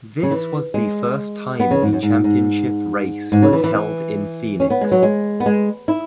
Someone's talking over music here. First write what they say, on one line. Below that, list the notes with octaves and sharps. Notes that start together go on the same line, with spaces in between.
This was the first time the championship race was held in Phoenix.
C#3
E3
G#3
B3
C#3
G#2
F#2
G#2
G#2
G#2
C#3
E3
E3
E3
C#4
B3
G#3
F#3
G#3
B3
G#3
E4